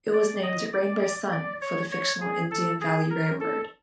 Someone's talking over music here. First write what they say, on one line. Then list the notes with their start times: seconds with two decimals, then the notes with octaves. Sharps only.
It was named "Rainbow Sun" for the fictional Indian Valley Railroad.
0.13 D5
0.43 D#5
0.73 D5
1.32 D5
1.62 C#5
1.92 C#5
2.21 G#4
2.51 A4
2.81 G#4
3.11 A#4
3.40 A4